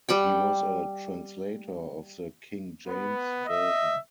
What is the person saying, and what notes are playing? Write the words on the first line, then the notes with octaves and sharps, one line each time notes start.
He was a translator of the King James Version.
G3 F#5 G5
B3
D#5 E5